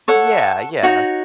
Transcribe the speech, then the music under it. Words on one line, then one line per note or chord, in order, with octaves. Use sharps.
Yeah, yeah.
A4 C#5 F#5
D#4 F#4 C#5